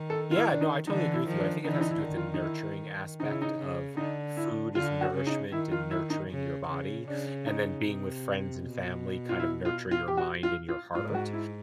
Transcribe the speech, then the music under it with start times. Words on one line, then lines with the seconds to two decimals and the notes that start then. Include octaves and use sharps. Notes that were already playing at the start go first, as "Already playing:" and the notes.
Yeah, no, I totally agree with you. I think it has to do with the nurturing aspect of food is nourishment and nurturing your body, and then being with friends and family kind of nurture your mind and your heart,
Already playing: D#3
0.10 A4
0.31 F4
0.36 E4
0.50 D4
0.61 D#4
0.87 D3 E3 D#4
1.13 E4
1.26 D#3 F3
1.39 D4
1.65 D3 E3 D#4
1.73 E4
1.81 D#4
1.91 E4
2.03 D#3
2.17 F4
2.34 D#4
2.42 E4
3.20 C#3 D#4
3.31 E4
3.42 D#4
3.59 C#3
3.97 D3 D#4
4.37 E4
4.75 D3 F4
5.01 F#4
5.14 C#3
5.27 D#4
5.52 D#3 E4
5.72 F4
5.91 E4
6.10 D#4
6.30 C#3
6.69 C#3
7.07 C#3 D4
7.46 D#4
7.84 C3
8.62 B2
9.29 F4
9.40 E4
9.65 F4
9.91 F4
10.08 G4
10.17 F#4
10.43 F4
10.69 F4
10.95 G#2 F4
11.14 F#4
11.33 E4